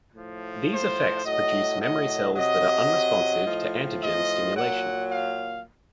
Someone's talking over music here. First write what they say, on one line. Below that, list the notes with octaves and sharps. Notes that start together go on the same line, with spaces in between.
These effects produce memory cells that are unresponsive to antigen stimulation.
A2 F3
C5
A2 F#3 D#5
D#5
C3 F#3 D#5
A2 F3
D#5
A#2 F#3 F#5
F5